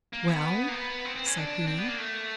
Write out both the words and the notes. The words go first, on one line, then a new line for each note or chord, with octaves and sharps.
"Well?" said he.
A#3
B3
A#3
B3
C4
C4
C#4
D4
C4
B3
A#3
A3